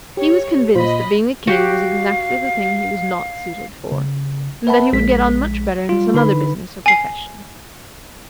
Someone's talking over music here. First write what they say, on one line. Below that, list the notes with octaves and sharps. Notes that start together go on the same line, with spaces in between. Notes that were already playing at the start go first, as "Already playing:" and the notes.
He was convinced that being a King was exactly the thing he was not suited for, and that he would get on much better in some other business or profession.
G4 C#5
A#2 F4 C5 D#5 B5
F#4 G4 F5
C#3
B4 E5 F#5 A5 B5
A#1 G#3 B6
G3 F4
D3 D#4 B4 B5
G#5 C7